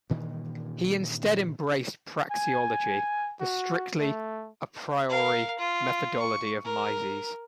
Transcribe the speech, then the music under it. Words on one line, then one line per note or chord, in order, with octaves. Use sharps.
He instead embraced praxeology, the strictly "a priori" methodology of Mises.
G2 A#2 D#3 E3
G#5
F#4
A3
A#4 F5
F4
C#6
A#4